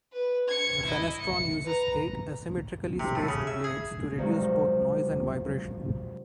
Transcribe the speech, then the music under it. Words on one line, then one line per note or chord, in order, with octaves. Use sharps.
The Fenestron uses eight asymmetrically-spaced blades to reduce both noise and vibration.
B4
G#6 C#7
E4 D#5
C#7
B4 A#5
C3
A2
C#3
E5
G#4
G2 C3 D#3 F3 F#3 G#3